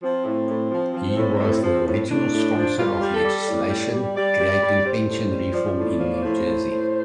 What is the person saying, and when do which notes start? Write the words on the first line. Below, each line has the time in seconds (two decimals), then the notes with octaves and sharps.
He was the original sponsor of legislation creating pension reform in New Jersey.
0.03 F3 C4
0.26 A2
0.48 A2
0.71 F3
0.94 F3
1.17 A2
1.40 A2
1.63 F3
1.87 A2
2.09 A2 D4
2.33 A2
2.55 F3
2.78 G3 F4
3.01 G3
3.13 A4
3.24 G3
3.47 A2 D5
3.70 G3
3.93 G3
4.16 G3 D5
4.39 G3
4.62 G3
4.85 G3 C5
5.08 A2
5.31 G3
5.54 F3 D5
5.77 A2
6.00 F3
6.22 A2 C5
6.45 A2
6.69 A2